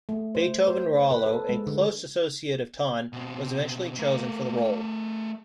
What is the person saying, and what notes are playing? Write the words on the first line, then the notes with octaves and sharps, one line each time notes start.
Beethoven Rualo, a close associate of Tan, was eventually chosen for the role.
A3
C5
C5
B4
A4
G#3
D3
B2 C4
A3 A#4